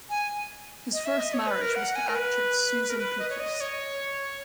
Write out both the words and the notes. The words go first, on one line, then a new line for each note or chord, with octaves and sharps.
His first marriage was to actress Susan Peters.
G#5
D#5
E5
D#5
C#5
B4
A#4
F#5
G#5
A#4
B4
A#4
B4
D#5
C#5
D#5
C#5